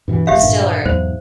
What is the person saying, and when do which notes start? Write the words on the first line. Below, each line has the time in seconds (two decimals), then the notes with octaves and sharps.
still are
0.08 G2 B2 E3
0.27 F1 D#3 G4 E5 F5
0.43 G2 A#2 D#3
0.85 E2 G#2 F#3 C5